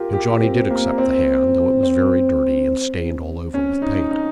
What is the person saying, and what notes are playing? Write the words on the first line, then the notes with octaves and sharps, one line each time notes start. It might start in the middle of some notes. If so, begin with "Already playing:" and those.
And Johnny did accept the hand, though it was very dirty and stained all over with paint.
Already playing: F4 G4 A#4
G4
C4
A#3
C4
C4
C#4
D#4
D#4